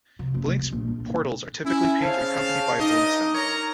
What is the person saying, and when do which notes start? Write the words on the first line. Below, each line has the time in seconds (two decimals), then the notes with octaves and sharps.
Blink's portals are typically pink and accompanied by a "Blink" sound.
0.19 C3
0.34 F#1
0.46 C3
0.59 B2
0.72 A#1
0.88 D4
1.65 C#4 E4
2.01 C#3 C5 F5 A5
2.79 G2 D#4 D5 D#5
3.34 A#4 C#5 A#5